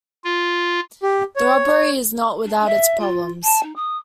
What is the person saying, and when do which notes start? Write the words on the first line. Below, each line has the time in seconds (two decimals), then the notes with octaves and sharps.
The robbery is not without its problems.
0.24 F4
1.03 G4
1.36 C#5
2.44 D4
2.65 E5
2.99 F4
3.43 A5
3.63 D#4
3.76 D#6